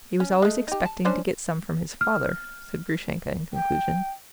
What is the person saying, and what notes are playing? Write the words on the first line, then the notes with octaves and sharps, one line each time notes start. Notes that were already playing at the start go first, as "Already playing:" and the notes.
"He was always expecting to get some from his father," said Grushenka in conclusion.
C#4
G#3 A3
D#4 G4
A5
C#4 D4 C5
F6
G5